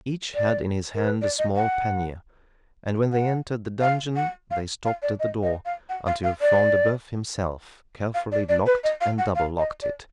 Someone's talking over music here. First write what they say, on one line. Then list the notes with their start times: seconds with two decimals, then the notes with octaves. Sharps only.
Each had in his hand a small pannier; and, when they entered the dungeon, they stopt at the door until Front-de-Boeuf himself carefully locked and double-locked it.
0.35 D5
0.95 A#4
1.04 B4
1.22 D5
1.38 D#5
1.56 F#5
3.12 F#5
3.81 F5
4.16 F#5
4.51 F5
4.85 F5
5.02 D5
5.20 D#5
5.43 D#5
5.65 F5
5.89 F#5
6.07 F5
6.24 F5
6.41 D5
8.14 F5
8.32 D5
8.49 D5
8.66 B4
8.84 D#5
9.01 F5
9.18 F#5
9.35 F5
9.59 D#5
9.82 D5